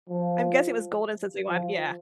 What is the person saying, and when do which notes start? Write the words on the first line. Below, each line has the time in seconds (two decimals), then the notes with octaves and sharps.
I'm guessing it was Golden since we went yeah.
0.09 F3
1.49 F3